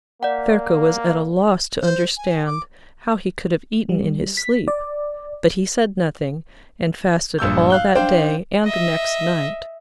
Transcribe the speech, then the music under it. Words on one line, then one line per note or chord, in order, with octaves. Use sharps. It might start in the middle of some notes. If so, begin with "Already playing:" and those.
Ferko was at a loss to understand how he could have eaten in his sleep, but he said nothing, and fasted all that day and the next night.
A#3 D5 F#5
C5
G#5
D6
G3
B6
D5
A#1 G2 E6 G6
F5 F#6 G7
D4 C5 F5 G5
D#5 E5